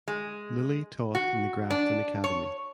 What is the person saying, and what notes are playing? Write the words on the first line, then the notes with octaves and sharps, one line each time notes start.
Lillie taught in The Grafton Academy.
G#3
F#4
D4
C#5